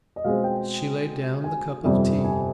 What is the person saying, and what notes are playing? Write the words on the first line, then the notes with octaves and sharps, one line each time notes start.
She laid down the cup of tea.
D#5
B2 G#3 C4 F5
G5
G#5
G1 F2 C3 G3 C4
G#5